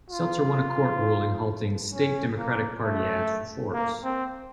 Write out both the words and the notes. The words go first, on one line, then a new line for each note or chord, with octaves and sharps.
Seltzer won a court ruling halting state Democratic Party ads for Forbes.
F4
C#4
A#3
A3
A#3
C4